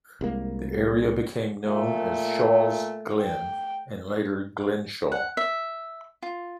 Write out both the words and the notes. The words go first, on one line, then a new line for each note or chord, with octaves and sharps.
The area became known as "Shaw's Glen", and later Glenshaw.
C2 G#3 A#3
A#2 A3
G5
F#5
E5
F4